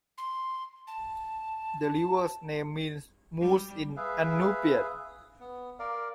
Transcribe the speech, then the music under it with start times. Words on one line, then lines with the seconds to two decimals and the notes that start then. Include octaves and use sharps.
The river's name means "Moose" in Inupiat.
0.18 C6
0.87 A5
3.40 G3
3.97 G#4 B4 E5 F5
5.40 B3
5.79 A#4 D5 F5